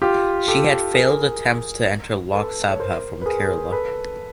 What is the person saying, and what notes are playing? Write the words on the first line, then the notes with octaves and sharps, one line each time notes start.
She had failed attempts to enter Lok Sabha from Kerala.
F4 G4
G4 A4
G#4 A#4
A4 B4
C#5
A#4 C5
B4
G#4 A#4
A4 B4